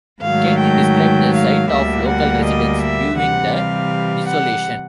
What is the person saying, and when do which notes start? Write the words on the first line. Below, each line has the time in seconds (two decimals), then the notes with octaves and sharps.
Kent described the sight of local residents viewing the desolation.
0.23 G#2 D#3 F#3 A3 F5
0.60 G5
1.35 F5
1.71 D2 D3 G3 A#3 E5
2.08 F#5
2.45 D#5
2.81 E5
3.19 C3 E3 G3 F#5
3.56 F5
4.30 F#5